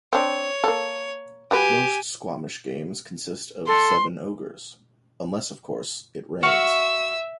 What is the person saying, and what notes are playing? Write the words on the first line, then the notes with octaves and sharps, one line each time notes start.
Most squamish games consist of seven Ogres, unless of course, it rains.
C4 D4 C#5
A#3 A4
G3 F#4 G4 B4 G#5
A4 C6
F#4 E5 F5 C#6 E6